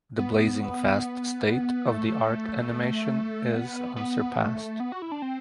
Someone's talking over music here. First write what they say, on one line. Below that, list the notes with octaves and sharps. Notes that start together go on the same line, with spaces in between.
The blazing fast state of the art animation is unsurpassed.
B3
A3
B3
B3
A3
B3
F#4
E4
D4
C4